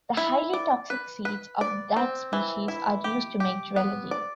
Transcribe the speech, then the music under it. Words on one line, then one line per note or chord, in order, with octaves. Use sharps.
The highly toxic seeds of that species are used to make jewellery.
E4
D5
B4
B4
D5
C4
E3
E4
G4
G4
B3
D5